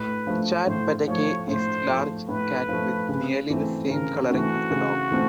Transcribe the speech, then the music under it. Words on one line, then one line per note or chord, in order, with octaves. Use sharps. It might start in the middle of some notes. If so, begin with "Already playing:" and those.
The "chat Bateke" is large cat with nearly the same coloring as the dog.
Already playing: A2 B4
F3 A3
A2 C5
F3 A3 C#5
A2 C5
F3 A3
A2 B4
F3 A3
C#3
E3 A3 C4
C#3 A#4
E3 A3 C4 F#4
C#3
E3 A3 C4